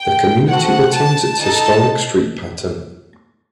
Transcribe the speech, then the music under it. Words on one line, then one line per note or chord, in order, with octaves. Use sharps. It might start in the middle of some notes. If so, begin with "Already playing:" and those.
The community retains its historic street pattern.
Already playing: G5
C4 F#4 A4 F#5
A5
D#4 A4 A5